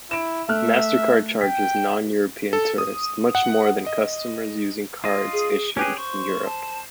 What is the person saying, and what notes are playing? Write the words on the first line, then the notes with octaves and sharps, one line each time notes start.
MasterCard charges non-European tourists much more than customers using cards issued in Europe.
E4 D7 E7
A3 E5 F6 F#6
G5 B6
A4
D#6
F#5
D#5
F4 D#5
G#4
C#4 G4 G#4 B4
C5 C#6
A5